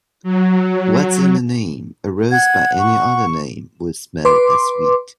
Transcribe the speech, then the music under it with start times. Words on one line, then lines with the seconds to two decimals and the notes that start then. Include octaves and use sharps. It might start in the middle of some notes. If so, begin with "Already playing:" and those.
What's in a name? A rose by any other name would smell as sweet.
0.23 F#3
2.32 F#5 G#6
2.79 C#6
4.25 B4 C6 D6